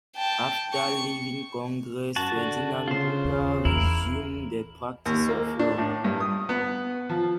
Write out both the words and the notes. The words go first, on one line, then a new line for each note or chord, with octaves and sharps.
After leaving Congress, Ferdinand Brucker resumed the practice of law.
G5 A5
C#6 C#7
F#2 F#4 A5
D3
C#3 F4 C5
D#2
E2 E4 A#4
D#2
A#3
D4
A2
G2
D#6
B3
F3